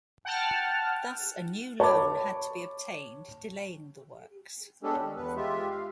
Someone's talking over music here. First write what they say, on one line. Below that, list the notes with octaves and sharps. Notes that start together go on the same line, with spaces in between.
Thus, a new loan had to be obtained delaying the works.
F#5 G5 A5 F6
C#5 A5 B5 D6
G#3 B3 C#4 D4 G4 A4
D#3 G3
E2 B3 B4
G#3 F4 G4 E5
F5